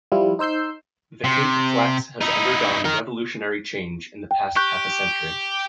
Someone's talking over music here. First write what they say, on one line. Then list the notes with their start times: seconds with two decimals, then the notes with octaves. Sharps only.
The Cape Flats has undergone revolutionary change in the past half a century.
0.12 F3 G3 E4 F4
0.39 D#4 C5 E6 G6 C7
1.24 C3
2.21 D#4 E4
2.84 D#4 A#4
4.31 G5
4.56 G4 C#6 F#6 G6